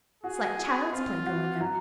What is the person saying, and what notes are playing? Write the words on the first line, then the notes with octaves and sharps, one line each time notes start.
It's like child's play going up.
F#4 G#4
F#4
C4 F4
F#4
F#3